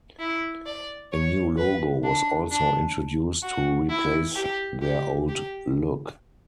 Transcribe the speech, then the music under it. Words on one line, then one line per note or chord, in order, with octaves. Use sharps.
A new logo was also introduced to replace their old look.
E4
D5
C#5
B4
D4
D4
F#4
E4
G4
G4
G4